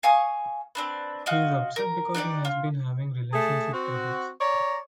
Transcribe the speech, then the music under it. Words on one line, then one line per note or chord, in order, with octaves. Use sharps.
He is upset because he has been having relationship troubles.
F5 G#5 C#6 D#6
C4 D4 B4
F4 F#4 D#5
A#4
D4 D#4 G4 D5
F4
A3 G#4 A5
C4 F#4
C#5 D5 A#5